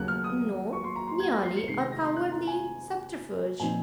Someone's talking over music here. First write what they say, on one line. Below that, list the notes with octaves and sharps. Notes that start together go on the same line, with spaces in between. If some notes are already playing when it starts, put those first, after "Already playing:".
No; merely a cowardly subterfuge.
Already playing: D#2 C#3 F#3 A#3 F#6
F6
D#6
C#6
C6
A#5
C6
G#6
A#6
C7
C#7
C3 D#3 G#3 C7
A#6
A#6
C6
F#6
A#5
G#5
A#2 F3 C4 D#4 G#5